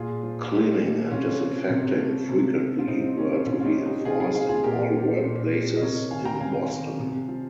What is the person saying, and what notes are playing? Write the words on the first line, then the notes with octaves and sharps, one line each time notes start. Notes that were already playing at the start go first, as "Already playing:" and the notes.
Cleaning and disinfecting frequently were to be enforced in all workplaces in Boston.
Already playing: A#2 F4 G#4
F3
F4
A#2 D#4 G4
F3
C3 C#4 F4
F3
C3
F3
C3
F3
F4
C3 C4 D#4
C4
F3 C#4
C4 D#4
C3 C#4 F4
F4
D#4 G4
F3
D#4 G4
C3 F4 G#4
F4 G#4
F3 F4 G#4
F4 G#4
A#2 G4 A#4
F3
A#2
F3
D#5
C3 A#4 C#5
D#3 F5 G#5
G5 A#5
A#5
C3 F5 G#5
D#3
C3
F3